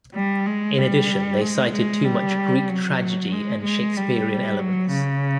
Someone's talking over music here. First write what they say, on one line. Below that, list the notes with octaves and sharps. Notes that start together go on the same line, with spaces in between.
In addition they cited too much "Greek tragedy and Shakespearean" elements.
G3
G#3
G3
G#3
G#3
G3
F#3
G#3
G#3
G3
F#3
C#3